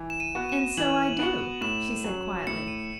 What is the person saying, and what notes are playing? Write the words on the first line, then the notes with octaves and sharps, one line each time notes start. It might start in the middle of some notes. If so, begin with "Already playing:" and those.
"And so I do," she said, quietly.
Already playing: E3
E7
D#7
B3 F#4
E7
E3 F#7
B3 F#4
A2 E7
F#3 C#4
A2 C#7
D#7